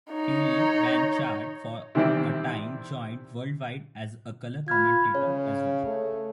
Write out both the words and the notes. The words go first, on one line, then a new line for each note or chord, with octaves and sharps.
Tully Blanchard for a time joined "World Wide" as a color commentator as well.
D#4 C#5
C3 D#3 E3 G3 C4 E4
F4 B5 F6 G#6
C#3 C#5
A3